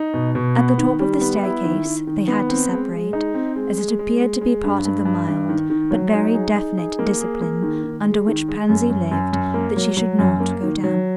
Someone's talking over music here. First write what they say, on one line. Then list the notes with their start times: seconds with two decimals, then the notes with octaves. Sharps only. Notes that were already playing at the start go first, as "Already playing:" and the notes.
At the top of the staircase they had to separate, as it appeared to be part of the mild but very definite discipline under which Pansy lived that she should not go down.
Already playing: D#4
0.14 B2
0.35 B2
0.57 B3
0.78 D#3
1.00 G3
1.21 B3
1.43 E4
1.64 D#3
1.85 D#3
2.07 D#3
2.28 B3
2.49 C4
2.71 G#3
2.92 G#3
3.13 D#4
3.34 C4
3.56 G#3
3.78 G#3
3.99 G#3
4.21 G#3
4.41 G#3
4.64 G2
4.85 G2
5.05 G2
5.27 G2
5.49 D#3
5.70 D#3
5.91 F#3
6.13 D#4
6.34 G#4
6.56 D#4
6.77 G#4
6.99 A#3
7.20 G#4
7.42 A#3
7.62 D#3
7.83 D#3
8.05 G#3
8.27 D#3
8.48 G#3
8.69 F#2
8.90 F#2
9.11 F#2
9.33 F#2
9.54 A#3
9.76 F#3
9.97 F#3
10.19 F#2
10.40 A#3
10.62 D#3
10.83 F#3